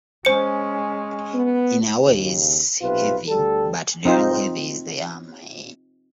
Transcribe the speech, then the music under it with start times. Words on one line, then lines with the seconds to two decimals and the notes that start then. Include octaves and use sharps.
In a way he's a 'heavy' but the real heavy is the Army.
0.25 G#3 C#4 C5 C#7
1.33 B3
2.06 D#2 C#3
2.82 B1 C3 F4 B4
3.28 D2 G3 A4
4.05 C4 D#4 F4 C5